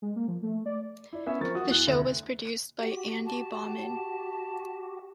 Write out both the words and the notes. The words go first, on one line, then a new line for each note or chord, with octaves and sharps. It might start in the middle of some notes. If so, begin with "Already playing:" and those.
The show was produced by Andy Bauman.
G#3
A#3
F3
A3
D5
E4 D5
B3 C#4 C#5 E5
F3 C4 A#4 C#6 A6
F#4 D#6
E2 E3 F#6
F1 D2
F#4 G4
A5